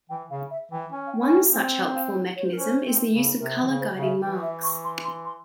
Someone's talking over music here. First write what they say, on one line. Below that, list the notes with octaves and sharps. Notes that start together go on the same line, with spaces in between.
One such helpful mechanism is the use of colour guiding marks.
E3 G5
C#3 F5
E5
E3 G5
C#4 G#5
F5
G5
C#4
G#5
G5
C4
G#5
F5
C#5
C#5
C5
A#4
C#4 C5
C4
C#3
C3 A#4
E3
C#3
C5
C#3
E5
E3 G5
E5
C#6
C6
C6
C6